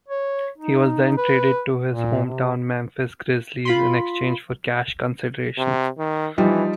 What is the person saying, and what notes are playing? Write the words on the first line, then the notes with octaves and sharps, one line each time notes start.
He was then traded to his hometown Memphis Grizzlies in exchange for cash considerations.
C#5
D#4
B4
A#2
C3
F4 B5 C6
C3
D#3
E3 F3 G3 D#4